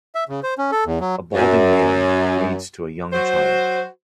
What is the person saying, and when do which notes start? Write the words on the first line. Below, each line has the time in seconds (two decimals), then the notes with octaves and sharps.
A balding man reads to a young child.
0.15 E5
0.29 C#3
0.43 C5
0.58 C#4
0.72 A4
0.86 E2
1.01 F#3
1.34 F#2
3.12 F#3 F#4 C5